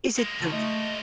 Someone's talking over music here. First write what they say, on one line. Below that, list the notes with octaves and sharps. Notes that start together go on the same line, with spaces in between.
is it the v
G#3 A#3
C#2 D#3 F#4 A4 A#4
A3 D#5